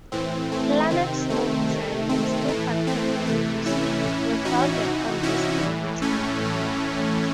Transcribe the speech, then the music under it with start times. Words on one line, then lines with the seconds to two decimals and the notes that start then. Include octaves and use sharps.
Planet Snow Design and Snow Park Technologies were founded on this growing snowboard market.
0.12 A2 E3 C4
0.52 A3
0.91 C3 D#3 C4
1.30 A3
1.70 C3 D#3
2.09 C4
2.48 A2 E3 A3
2.87 C4
3.27 C3 E3 A3
3.66 C#4 E4
4.05 A2 E3
4.45 D#4 F#4
4.84 C3 E3
5.23 C#4 E4
5.63 A2 E3
6.02 A3 C#4
6.42 A2 E3